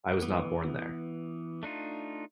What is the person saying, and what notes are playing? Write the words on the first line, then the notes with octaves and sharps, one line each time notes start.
I was not born there...
E3 B3
A3 D4 D#4 F4